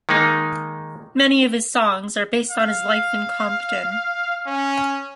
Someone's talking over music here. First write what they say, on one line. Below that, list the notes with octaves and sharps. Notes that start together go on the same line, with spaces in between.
Many of his songs are based on his life in Compton.
D#3 G#3 A#3 D#4
F5
C#4